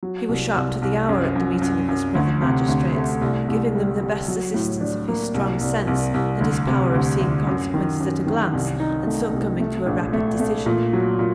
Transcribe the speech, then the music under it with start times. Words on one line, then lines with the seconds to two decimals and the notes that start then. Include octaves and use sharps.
He was sharp to the hour at the meeting of his brother magistrates,--giving them the best assistance of his strong sense, and his power of seeing consequences at a glance, and so coming to a rapid decision.
0.03 F#3
0.29 C2
0.56 C2
0.82 C2
1.09 F#2
1.36 F#2
1.62 F#2
1.89 F#2
2.15 D2
2.42 C3
2.68 D2
2.95 A3
3.21 C2
3.48 C2
3.75 G3
4.01 G3
4.28 F#3
4.54 A2
4.81 D4
5.08 A#3
5.34 C2
5.61 C2
5.87 C2
6.14 C2
6.41 D2
6.67 C3
6.94 D2
7.20 D2
7.47 F#2
7.74 D#3
8.00 F#2
8.26 D#3
8.53 C2
8.80 D#4
9.06 A3
9.33 C2
9.60 A3
9.86 A#1
10.13 A3
10.40 A3
10.66 A#2
10.93 F#3
11.19 A#2